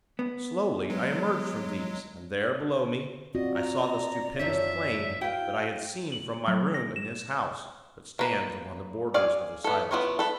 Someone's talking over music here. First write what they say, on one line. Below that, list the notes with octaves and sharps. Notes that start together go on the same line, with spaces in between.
Slowly, I emerged from these, and there, below me, I saw the stupendous plain that I had seen from my room in this house that stands upon the borders of the Silences.
B3
F#3 G#3
C4 F4 F#4 D5 D#5
A#5
F#2 F3 C#5 E5
E4 F#4 B4 F5 G5
F#7
F#3
A#6
E7
A#3 B4
D5 F5 G#5
B3 A4
B3 E4 F4 A#4 C#5
A4 B4